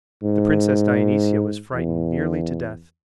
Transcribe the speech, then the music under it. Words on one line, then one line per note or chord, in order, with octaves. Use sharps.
The princess Dionysia was frightened nearly to death.
G#2
E2